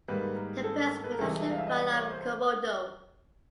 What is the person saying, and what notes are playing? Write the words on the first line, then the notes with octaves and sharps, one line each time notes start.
The first production run of Komodo.
G#2 D#3 G3 A#3 B4
A#4
A4
B4
A#4
C2 C3 E3 G#3 A4
F5
E5
D#5
D5
C#5
C5
C5